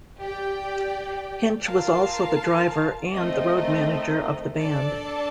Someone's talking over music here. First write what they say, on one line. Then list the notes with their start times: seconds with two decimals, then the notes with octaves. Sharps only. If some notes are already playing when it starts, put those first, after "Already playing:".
Hinch was also the driver and the road manager of the band.
0.18 G4 D5 G5
1.64 F4 A#4 F5 A5
3.11 A3 C4 D#4 A#4 D#5
4.58 D4 A4 D5 A5